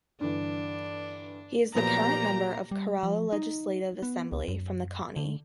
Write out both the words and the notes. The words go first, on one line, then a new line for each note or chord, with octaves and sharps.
He is the current member of Kerala Legislative Assembly from the Konni.
G2 D3 E3 D4
A#2 F3 F#3 A#3 B3 G4 A#5
G3
F3
D#4
B3
C#2
F#2
D3